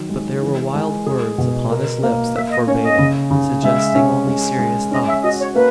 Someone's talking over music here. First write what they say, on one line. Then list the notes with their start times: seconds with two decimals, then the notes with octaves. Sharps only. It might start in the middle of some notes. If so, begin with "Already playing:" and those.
But there were wild words upon his lips that forbade it--suggesting only serious thoughts.
Already playing: D#3 F#3
0.09 G#3
0.42 E3
0.75 G#3
1.06 G#4
1.38 B2
1.71 A#4
2.03 A#3
2.35 A#3 E5
2.51 D#5
2.67 C#4 C#5
2.83 D#5
2.98 C#3
3.31 C#3
3.63 G#3 E5
3.95 C#4
4.27 G#3
4.59 G#3
4.91 C#4 D#5
5.08 E5
5.23 F#4 D#5
5.40 C#5
5.55 A#3 B4